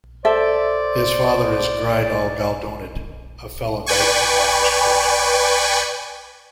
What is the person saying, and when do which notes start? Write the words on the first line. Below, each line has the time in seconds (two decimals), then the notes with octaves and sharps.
His father is Greidawl Galldonyd, a fellow knight in Arthur's court.
0.25 A4 C5 D5 E5
3.86 B4 D5 G5 G#5 C#6